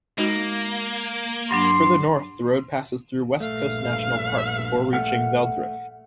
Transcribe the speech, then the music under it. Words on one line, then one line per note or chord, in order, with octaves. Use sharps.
Further north the road passes through West Coast National Park before reaching Velddrif.
G#3 A#3 D#4 F#4
G2 F#3 D4 C6
A#1 G2 A3 F5
A3 F#5 F6